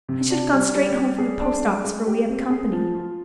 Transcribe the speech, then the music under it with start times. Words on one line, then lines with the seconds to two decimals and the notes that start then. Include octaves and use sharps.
I should have gone straight home from the post office for we have company.
0.09 C3
0.30 D4
0.53 G3
0.75 G3
0.97 G3
1.18 G#4
1.40 D4
1.63 G#3
1.84 G#3
2.07 G4
2.29 C4
2.50 G#4
2.72 F3
2.94 F4